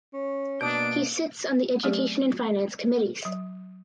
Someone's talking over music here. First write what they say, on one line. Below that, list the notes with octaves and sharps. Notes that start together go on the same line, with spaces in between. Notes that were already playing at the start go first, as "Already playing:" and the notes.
He sits on the Education and Finance committees.
C#4
B2 A#3 D4 D#6 G6 D7
F#3 A3 C4 G4 G#4 D5
F#3